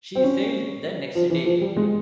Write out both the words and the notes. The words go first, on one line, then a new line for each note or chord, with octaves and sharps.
She sailed the next day.
C4
C#4
F3
E3
F3
G3
G#3